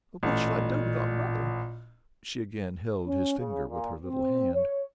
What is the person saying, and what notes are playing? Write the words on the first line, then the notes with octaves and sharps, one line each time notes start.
"But what shall I do without mother?" She again held his finger with her little hand.
A1 A#2
C#4
C#3
A#2
C4
C#5